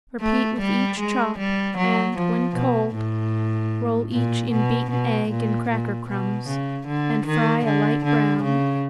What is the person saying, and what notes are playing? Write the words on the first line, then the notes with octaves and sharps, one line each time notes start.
Repeat with each chop, and when cold roll each in beaten egg and cracker crumbs, and fry a light brown.
A3
G3
G#3
G3
F#3
F3
B2
A2
A#2
B2
B2
A#2
A#2
B2
C#3
D3
D#3
D3
D3
C#3